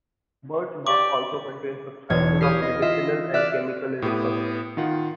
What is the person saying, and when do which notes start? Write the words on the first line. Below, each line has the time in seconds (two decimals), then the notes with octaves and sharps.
Birch bark also contains substances of medicinal and chemical interest.
0.87 G4 D5 D6
2.10 E1 C#5 G#6
2.41 G4 D#6 F6 C7
2.62 D#5
2.82 F4 D#5 E5
3.34 D5 E5 F6 F#6
4.02 A2 B3 G4 D#6
4.77 D#3 F4 F#5